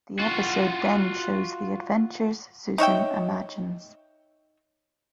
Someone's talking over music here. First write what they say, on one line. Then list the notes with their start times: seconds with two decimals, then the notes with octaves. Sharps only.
The episode then shows the adventures Susan imagines.
0.19 F4 F#4
2.78 D#4 C#5 E5 G5